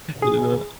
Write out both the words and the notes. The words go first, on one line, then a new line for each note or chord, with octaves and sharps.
You know?
G#4